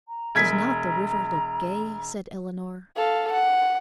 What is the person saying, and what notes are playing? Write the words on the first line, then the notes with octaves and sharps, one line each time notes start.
"Does not the river look gay?" said Eleanor.
A#5
E1 G#6 B6
A4 F5
F#5